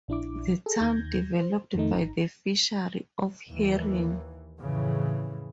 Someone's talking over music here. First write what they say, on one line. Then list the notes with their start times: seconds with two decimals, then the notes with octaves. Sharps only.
The town developed by the fishery of herring.
0.08 A#1 D4 E4 D6
0.66 G#4 A4
0.81 D#2 D#3 G6 G#6 A#6
1.38 C5
1.75 F2 D#3 A3 D#4
1.93 G#1 D#4 A#5
3.49 D#2 E3
4.60 F2 A2 C#3 E3